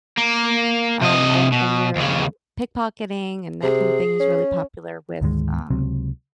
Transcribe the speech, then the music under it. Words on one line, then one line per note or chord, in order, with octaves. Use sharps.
um, and and you're, you know, pickpocketing, and that kind of thing is really popular with, um,
A#3
C3 D#5
B2
D#2 C#3
C3 G#4
C#4
D2 G#2 D#3 G#3
C#2 C3 F#3 C4